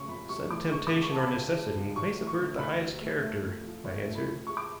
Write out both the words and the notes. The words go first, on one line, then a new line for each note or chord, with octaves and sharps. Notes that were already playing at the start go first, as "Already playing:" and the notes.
"Sudden temptation or necessity may subvert the highest character," I answered.
Already playing: C#3 F#3 A3 C#6
F2 B5
F#3 C#6
A3 D6
G#3 C#6
C#2 D6
C#6
C#3 A5
B5
C#2
G#3
C#2
F#3 C#6
A3
C#6
D3
D2 B5
F#3
A3
A3
F2
F3
F2 C#5
A3
B5
F2
G#3 C#6
D6